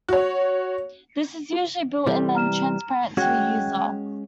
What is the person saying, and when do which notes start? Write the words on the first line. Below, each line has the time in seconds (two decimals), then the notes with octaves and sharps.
This is usually built in and transparent to the user.
0.09 F#4 C#5
2.06 C3 E3 G3 A4
2.35 A#5 F6 E7
3.17 G#3 C#4 F#4 G5 F#6 G#6